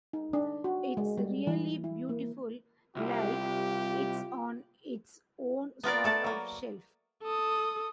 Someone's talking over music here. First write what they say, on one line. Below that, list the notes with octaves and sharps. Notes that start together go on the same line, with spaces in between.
It's really beautiful, like it's on its own sort of shelf.
D#4
D4
F#4
G#3
G3
E3
E4
A#3
C2 F4 G4
B3 F4 A#4 D5
A3 A4 D5 A5
F#3 A#3
A4 D#6